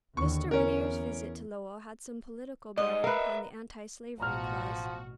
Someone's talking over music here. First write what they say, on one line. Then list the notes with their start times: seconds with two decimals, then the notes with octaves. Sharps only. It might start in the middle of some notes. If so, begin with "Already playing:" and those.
Mr. Whittier's visit to Lowell had some political bearing upon the antislavery cause.
0.17 D#2 D3 C#6
0.51 E2 C#4 A#4
2.78 G#2 D#5
3.04 A#4 B4 E5 F5
4.20 A1 B2 F3 F#4 A#5 F6